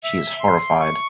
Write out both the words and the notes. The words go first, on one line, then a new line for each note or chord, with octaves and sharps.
She is horrified.
E5
C6
C#6